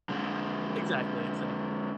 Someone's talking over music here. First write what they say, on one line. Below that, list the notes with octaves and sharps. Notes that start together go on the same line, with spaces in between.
Exactly, exactly.
D3 G#3